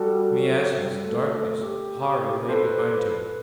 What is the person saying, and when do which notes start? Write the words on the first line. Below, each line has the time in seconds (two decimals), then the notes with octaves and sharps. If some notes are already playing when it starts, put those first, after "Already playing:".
The miasmas, darkness, horror lay behind him.
Already playing: G3 F#4 A4
0.32 F#3
0.76 G3
1.05 A3
1.33 A3
1.62 G4
2.48 A4 B4 C5